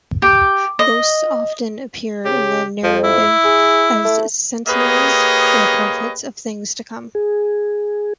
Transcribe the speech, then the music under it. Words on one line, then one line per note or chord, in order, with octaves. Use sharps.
Ghosts often appear in the narrative as sentinels or prophets of things to come.
G4
D#5
C#3 G4
F2 F3
E4
G#4
A3
A#3 G4 G#4 B4 C#5 D#5
G#4